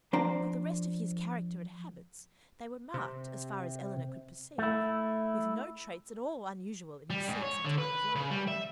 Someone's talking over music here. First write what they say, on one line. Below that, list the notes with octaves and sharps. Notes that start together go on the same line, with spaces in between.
For the rest of his character and habits, they were marked, as far as Elinor could perceive, with no traits at all unusual in his sex and time of life.
F3 D4 C5 D5 A#5
C3
A3 E4
G3
G#2
C#5
D3
B4
C#3
G3
E5